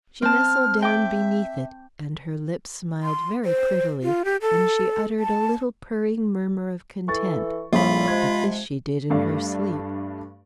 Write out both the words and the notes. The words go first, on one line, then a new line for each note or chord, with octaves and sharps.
She nestled down beneath it and her lips smiled very prettily, and she uttered a little purring murmur of content; but this she did in her sleep.
C4 A5 F6
E5 G5 D6
C6
C5
F4
G4
A4
A5
E3 A4 C#6 A6
A#1 A2 C#3 G3 F4 B5
C3 F3 G#3 G#6
G2 A3 D4 F5